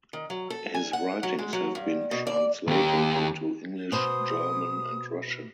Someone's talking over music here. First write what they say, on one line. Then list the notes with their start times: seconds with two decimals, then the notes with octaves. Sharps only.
His writings have been translated into English, German, and Russian.
0.13 D#3
0.30 F#3
0.50 A4
0.75 G#5
0.93 F#5
1.23 F#3
1.39 G#3
1.53 F#3
1.75 G2
2.11 B2
2.27 D5
2.67 D#2 G4
3.92 B2 C5 D#6